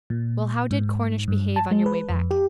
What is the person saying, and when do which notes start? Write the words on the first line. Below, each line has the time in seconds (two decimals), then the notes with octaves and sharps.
'Well, how did Cornish behave on your way back?'
0.10 A#2
0.71 G#2
1.28 G2
1.56 A5
1.71 G#3
1.86 B4
2.10 F2
2.31 G4